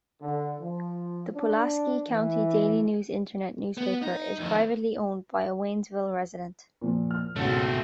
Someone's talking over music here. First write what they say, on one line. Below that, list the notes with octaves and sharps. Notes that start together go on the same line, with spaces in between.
The Pulaski County Daily News internet newspaper is privately owned by a Waynesville resident.
D3
F3
D4
E3
B3
D#4
F2 D#3
A#2 F3
F6
C#2 G#2 B2 A3 C4 C#5